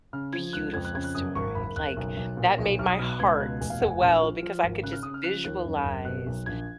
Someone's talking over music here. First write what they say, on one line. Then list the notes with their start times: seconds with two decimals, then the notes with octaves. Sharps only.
beautiful story. Like, that made my heart swell because I could just visualize,
0.13 C#3 F6
0.33 F3 G#6
0.53 C#2 F#6
0.74 F2 G#6
0.85 F#6
0.95 C#3 G#6
1.04 F#6
1.15 F#2 D#6
1.35 G#1 C#6
1.55 F#1 B5
1.76 F#1 F#6
1.96 B1
2.17 B1
2.37 A#2
2.58 B1
2.79 B1 F6
2.89 D#6
2.99 B2 F6
3.09 F#6
3.19 C#2 G#6
3.40 B2 F#6
3.61 F1 G#5
3.70 F5
3.81 F1 F#5
3.90 G#5
4.01 A#1 F6
4.22 F3
4.43 F3
4.63 G#1
4.83 C#3 F#6
4.93 F6
5.03 C#3 D#6
5.14 F6
5.24 F3 F#6
5.44 D#2 F#6
5.64 F#2
5.85 F#1
6.05 B2 F#6
6.26 B1
6.46 A#1 G#6